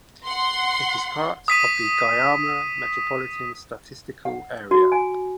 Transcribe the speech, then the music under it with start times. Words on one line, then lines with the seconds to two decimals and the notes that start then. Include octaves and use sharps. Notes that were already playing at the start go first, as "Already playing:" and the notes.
It is part of the Guayama Metropolitan Statistical Area.
0.25 F#5 C6
1.48 D#6 B6 D#7
4.25 F#5
4.71 F#4
4.92 G#5